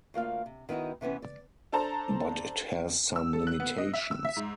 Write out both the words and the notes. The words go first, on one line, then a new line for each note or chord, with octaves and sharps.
But it has some limitations.
D2 A#3 F4 F5
C3
D#3 B3 D#4 E4 F#4
C3 E3 B3 C#4
D5
D4 A4 C5 A5 A#5
E6
A4
F#6
B3
D#5
E5
E6
E5
G#2